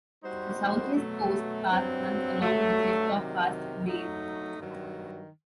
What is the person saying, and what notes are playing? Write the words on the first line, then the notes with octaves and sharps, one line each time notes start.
The South West Coast Path runs along the clifftop past Maer.
G3 D#4 F#4 C5
B2 F#3 A3
G2 F#3 C4
G2 F#3 A3
C3 D#3 F#3
F#3 A3 D#4
G2 D#3 F#3